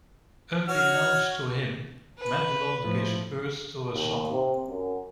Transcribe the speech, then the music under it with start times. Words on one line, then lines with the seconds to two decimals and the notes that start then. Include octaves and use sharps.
Unbeknownst to him, Madelon gives birth to a son.
0.68 F#4 C#5 F6
2.18 B4
2.81 A2 F3
3.92 D#2
4.32 C3
4.67 F#2